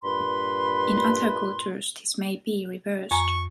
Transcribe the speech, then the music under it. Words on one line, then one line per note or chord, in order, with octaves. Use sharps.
In other cultures, this may be reversed.
G2 A#2 B4 B5 C6
F2 G#5 A#5 C#6